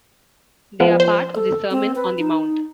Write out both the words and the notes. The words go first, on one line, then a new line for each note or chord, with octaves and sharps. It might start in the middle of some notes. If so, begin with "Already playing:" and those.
They are part of the Sermon on the Mount.
F3 B3
C5
A4
C4
B4
D#4